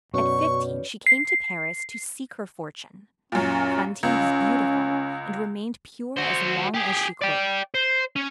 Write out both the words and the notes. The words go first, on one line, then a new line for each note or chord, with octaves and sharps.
At fifteen she came to Paris "to seek her fortune." Fantine was beautiful, and remained pure as long as she could.
F#2 B2 C#4 F#4 B4 C#5 D5 C#6
C7
F#2 A#2 C#4
C#2 C#4
F#4 C5
G4 G#4
D5 G5
C5
C#4